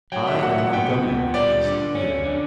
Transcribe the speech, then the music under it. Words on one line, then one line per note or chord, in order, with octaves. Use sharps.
"I and Montgomery, at least," he added.
F#3 G5
E5
A#2 F#5
F#5
B3 G5
A#2
G3 D5
D3
C#4
D3